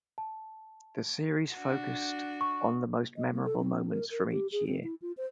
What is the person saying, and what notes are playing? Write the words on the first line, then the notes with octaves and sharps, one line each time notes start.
The series focused on the most memorable moments from each year.
A5
D4 F#4
C#6
D#5
A#3
A4
C4
A#4
A#4
G4
G#4
C4
E4
F4
C5